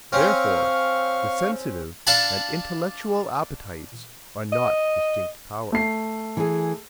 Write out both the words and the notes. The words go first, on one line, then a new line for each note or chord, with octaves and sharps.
Therefore the sensitive and intellectual appetites are not distinct powers.
C4 C#4 F5 C#6 F6
D4 D5 F5 F#5 A5 B5
D#5
A3 C7
E3 G#4